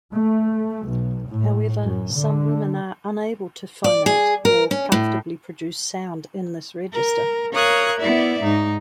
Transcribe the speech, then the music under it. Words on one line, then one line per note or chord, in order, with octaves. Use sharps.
However, some women are unable to phonate or comfortably produce sound in this register.
A3
B1
A2
F#2
D3
D5
G#4
A#4
C#4
A2
A#4
A#4 C#5 F5 D#6 F#6 G#6
B3 E4 D5 E5
G#2 D#4